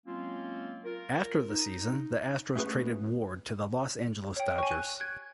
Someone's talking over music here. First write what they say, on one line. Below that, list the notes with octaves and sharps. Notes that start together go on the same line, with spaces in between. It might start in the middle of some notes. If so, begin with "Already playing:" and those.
After the season the Astros traded Ward to the Los Angeles Dodgers.
F#3 G#3 A#3 C4 C#4 F4
F4 A#4
D#4
A3 C#4 F#4 G#4 B4
C#5 G5
G#5 C#6
F#6
F#6 G#6